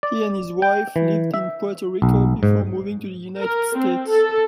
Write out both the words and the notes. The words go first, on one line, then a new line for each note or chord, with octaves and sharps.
He and his wife lived in Puerto Rico before moving to the United States.
D5
G5
E3
E5
B1
G#2
A#4
C4
A4